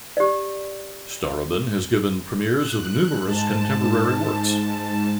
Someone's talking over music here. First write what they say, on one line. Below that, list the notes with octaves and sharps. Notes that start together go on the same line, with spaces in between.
Starobin has given premieres of numerous contemporary works.
G4 D5
F#6
G#2 A5